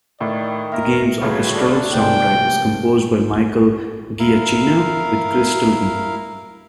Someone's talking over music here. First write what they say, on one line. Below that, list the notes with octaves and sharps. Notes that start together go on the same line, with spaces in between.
The game's orchestral soundtrack was composed by Michael Giacchino with Chris Tilton.
A2 D#3 D5
A#3 A#4 E5
G1 A2 C#3 F#4 B4 C#5 F5
D4 A4
C3 F3 A3 A#3 G5
E4 A#4 F5